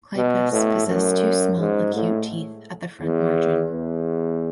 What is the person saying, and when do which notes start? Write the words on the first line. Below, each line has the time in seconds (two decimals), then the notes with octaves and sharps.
Clypeus possess two small acute teeth at the front margin.
0.17 B2
0.53 A2
0.87 F#2
1.60 G#2
1.95 A2
3.02 E2
3.73 E2